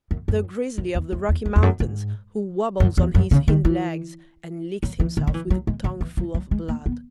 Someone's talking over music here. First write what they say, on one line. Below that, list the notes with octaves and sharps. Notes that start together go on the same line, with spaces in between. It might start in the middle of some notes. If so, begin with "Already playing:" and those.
The grizzly of the Rocky Mountains, who wobbles on his hind legs, and licks himself with a tongue full of blood.
F#2
F#2
F#2
E2
E2
E2
F#2
E2
F#2
G#2
F#2
E2
F#2
C#3
D#3
E3
F#3
E3
D#3
F#3
E3
F#3
G#3
F#3
E3
F#3
F#3
G#3
A#3
B3